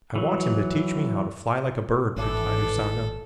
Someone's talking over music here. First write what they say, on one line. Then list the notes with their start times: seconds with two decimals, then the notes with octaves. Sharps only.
"I want him to teach me how to fly like a bird," replied Usanga.
0.16 E3 F#3
2.16 G#1 A2 E3 D4 A4